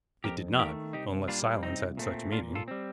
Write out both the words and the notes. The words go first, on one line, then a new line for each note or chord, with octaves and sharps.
It did not,--unless silence had such meaning.
F2 G4 A#4
D#3 A3 G4 A#4
C2 D#4 G4
A#2 G3 A#3 D4 F4
C2 C4 D#4
A#2 A3 C4
A#2 D4 F4
F4 A4
G3 C4